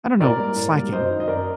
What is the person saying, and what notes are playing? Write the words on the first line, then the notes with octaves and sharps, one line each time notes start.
I don't know, slacking,
A2 A#4 D5
G3 A#3
A2
G3 A#3
F#2 C5 D#5
D#3 F#3
D#5
F#2 A#4 D5